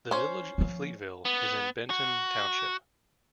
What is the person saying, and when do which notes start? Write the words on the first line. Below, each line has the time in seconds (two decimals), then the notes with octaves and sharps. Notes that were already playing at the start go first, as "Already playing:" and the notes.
The village of Fleetville is in Benton Township.
0.11 C#4 C5
0.58 F3 A#3
1.25 B3
1.90 F#4